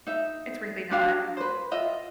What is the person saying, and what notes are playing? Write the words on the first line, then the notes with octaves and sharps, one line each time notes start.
It's really not.
D#4 E5
D4 F#4 G4 F5
B4 C5
F4 D#5 E5